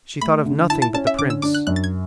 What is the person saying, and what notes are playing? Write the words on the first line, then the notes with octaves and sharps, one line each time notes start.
She thought of nothing but the prince.
A3 B5
D3
E4 A5
A5
C#4 A5
E5
D3 D6
E6
D4 D6
F#6
F#2 F#6
A6
G#6